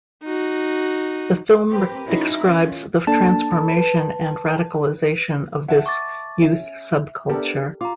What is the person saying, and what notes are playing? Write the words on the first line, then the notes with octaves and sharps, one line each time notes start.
The film describes the transformation and radicalisation of this youth subculture.
D#4 F#4
C4 G4 A#4 B4
C#4 D#4 E4 F#4 A#4
D#3 C#4 F4
A#3 D4 A4 A5
B4
E5 F#5 A5
C#6 D6 A6
C#4 E5
B3 D4 G4 A4 A#4
F4 A#5 D6